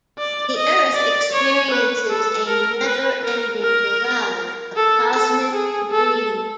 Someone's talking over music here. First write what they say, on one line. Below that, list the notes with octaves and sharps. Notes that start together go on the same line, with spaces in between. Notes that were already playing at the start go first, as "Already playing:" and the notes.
The Earth experiences a never ending barrage of cosmic debris.
D5
D#5
D5
C#5
B4
A4
A#4
B4
A#4
A#4
A4
A4
G#4
A4